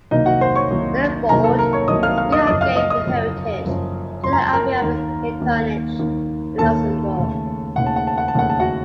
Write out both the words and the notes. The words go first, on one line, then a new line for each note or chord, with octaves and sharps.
Wilibrord on his behalf gave the heritage to the Abbey of Echternach in Luxembourg.
C2 C3 D#3 F#3 A#3 D#4 D#5
F#4 F#5
C5 C6
C#5 C#6
C2 C3 D#3 F#3 A#3
C2 C3 D#3 F#3 A#3 A#4 A#5
A4 A5
A#4 A#5
C#5 C#6
C2 C3 D#3 F#3 A#3 D#5 D#6
F5 F6
F5 F6
D#5 D#6
F#1 F#2 F3 D#5 D#6
F5 F6
D#5 D#6
D#5 D#6
F#1 F#2 F3
F#1 F#2 F3
F#1 F#2 F3 C6
A#5
A5
A#4 A#5
D#2 D#3 A#3
D#2 D#3 A#3
D#2 D#3 A#3
D#2 D#3 A#3 A4 A5
D#2 C#3 A3
D#2 C#3 A3 F#5
A5
F#5
A5
F#5
A5
D#2 C#3 A3 F#5
A5
F#4 F#5